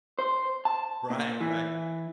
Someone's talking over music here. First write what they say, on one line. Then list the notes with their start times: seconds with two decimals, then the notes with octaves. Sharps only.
Right, right.
0.19 C5
0.65 A5
1.10 A#2
1.41 E3